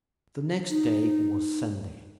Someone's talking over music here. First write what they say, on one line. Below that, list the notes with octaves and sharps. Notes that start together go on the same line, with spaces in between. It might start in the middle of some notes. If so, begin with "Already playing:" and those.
The next day was Sunday.
D#4